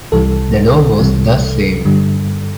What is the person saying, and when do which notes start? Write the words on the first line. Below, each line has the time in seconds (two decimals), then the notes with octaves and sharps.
The law was thus saved.
0.12 C2 C3 E3 G3 A4
0.99 C2 C3 E3 G3
1.85 G2 D3 G3